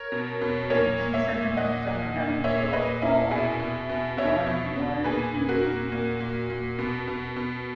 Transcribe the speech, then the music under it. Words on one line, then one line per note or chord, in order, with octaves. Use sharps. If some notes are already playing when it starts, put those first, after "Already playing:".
If you see symptoms of someone having a stroke call one-one-two immediately.
Already playing: A#4 C#5
B2
B2
A#2 A#4 C#5
A#2
C#5 E5
A#2
A#2 D#5 F#5
A#2
A#2
A#2 C#5 E5
A#2 B4 D#5
A#2 C#4 E4
B2 E4 G#4
B2
B2
B2 C#5 E5
B2
B2
A#2 G#4 B4
A#2
F#4 A#4
A#2
A#2
A#2
A#2
B2
B2
B2